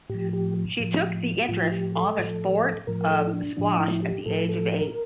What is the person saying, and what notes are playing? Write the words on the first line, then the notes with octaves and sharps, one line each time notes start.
She took the interest on the sport of squash at the age of eight.
A2 F3 G4
G4
A2 F3
A2 F3 F4
G4
A4
A2 F3
A2 F3 A#4
A4
E4
D4
A2 F3 D4
E4
G4
A2 F3 A4
A4
A#4